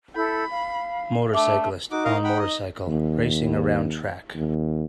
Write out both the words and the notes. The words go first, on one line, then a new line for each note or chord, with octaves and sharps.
Motorcyclist on motorcycle racing around track.
E4 A4 B5 G6
F5
A3 D4 E5 D6
D#4 F#4 D6
A#4 D#5 F5
F#5 G5 B5
D#5
D#2
D#2